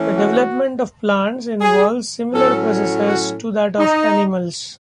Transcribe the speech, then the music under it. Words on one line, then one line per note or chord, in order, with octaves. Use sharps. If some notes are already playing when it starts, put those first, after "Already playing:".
The development of plants involves similar processes to that of animals.
Already playing: E3 A3 C#4
F#4
G#4
A2 F#3 C#4 A4
F#4
D#4